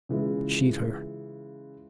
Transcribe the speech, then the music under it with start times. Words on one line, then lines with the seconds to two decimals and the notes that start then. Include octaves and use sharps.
Cheat her.
0.09 C#3 E3 G#3 F4